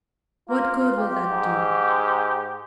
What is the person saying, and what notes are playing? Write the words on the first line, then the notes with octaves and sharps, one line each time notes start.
"What good will that do?"
A#3 F4
G4
G#2